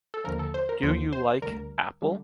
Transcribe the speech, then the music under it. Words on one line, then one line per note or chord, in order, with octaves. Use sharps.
Do you like apple?
A4
D#2 D3 F3 A#4
A4
C5
A#4
D#2 D3 F3 C5
C5
D2 D3 G3 A#4
D3 G3